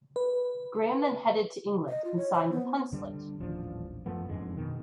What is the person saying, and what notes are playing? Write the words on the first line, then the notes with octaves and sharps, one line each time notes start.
Graham then headed to England and signed with Hunslet.
B4
D#5
F4
C#5
C5
B3
D3 G3
D#1 A1 F3 D4
F#2 F3 A3 B3
F2 G#2 D3 G#3
B2 D#3